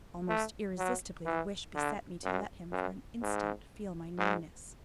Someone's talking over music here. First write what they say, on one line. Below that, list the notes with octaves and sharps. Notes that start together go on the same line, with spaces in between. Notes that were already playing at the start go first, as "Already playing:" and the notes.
Almost irresistibly the wish beset me to let him for an instant feel my nearness.
A3
F#3
E3
D3
F#2
F#2
G#2
G#2